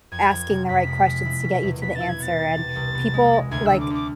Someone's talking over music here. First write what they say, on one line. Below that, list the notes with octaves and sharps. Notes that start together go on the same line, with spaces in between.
asking the right questions to get you to the answer, and people, like
F2 G#6
F2
C3
F2 B6
G#3
G#3
E4
B2
E2
B3 B6
E4 A6
G#6
B3 A6
B3
C3
C2
B3
G#3
G#3
D2 G#6
D3 E6
D6
D2 D6